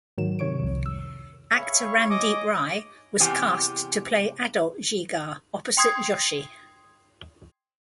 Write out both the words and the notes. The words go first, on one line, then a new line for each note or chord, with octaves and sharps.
Actor Randeep Rai was cast to play adult Jigar opposite Joshi.
G#2 D#3 F#3 E7
C3 D#3 C#5 C#6 D7
C2 F2
E6
G#4 C#5 E5 F5 B5 C#6
C#5 D#5 G#5 D6
E2 C3 G4 G#5
G5 C6 D#6 G#6 C7